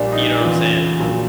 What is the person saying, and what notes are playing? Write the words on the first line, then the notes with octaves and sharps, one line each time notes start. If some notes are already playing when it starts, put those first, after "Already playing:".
You know what I'm saying?
Already playing: A#1 A#2 G3 D4
D#4
E2 C#3 E3 F4
A#1 A#2 F#3